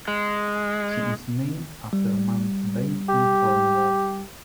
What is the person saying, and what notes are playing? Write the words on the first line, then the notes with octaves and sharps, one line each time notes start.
She is named after Mount's Bay in Cornwall.
G#3
G3
G4